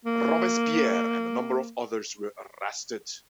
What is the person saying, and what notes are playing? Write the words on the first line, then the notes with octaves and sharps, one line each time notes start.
Robespierre and a number of others were arrested.
A#3